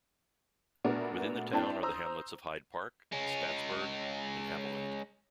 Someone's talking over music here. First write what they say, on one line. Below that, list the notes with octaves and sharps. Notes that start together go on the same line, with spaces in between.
Within the town are the hamlets of Hyde Park, Staatsburg, and Haviland.
A#2 A3 B3 D4 F#4 A#4
C4 D4 E4 A4 G5 A5
C5 A#5 D#6 E6
G#3 C#4